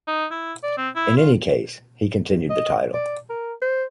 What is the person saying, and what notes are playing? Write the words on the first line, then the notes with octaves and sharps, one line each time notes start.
In any case, he continued the title.
D#4
E4
D5
C4
E4
F4
D#5
D5
A#4
C5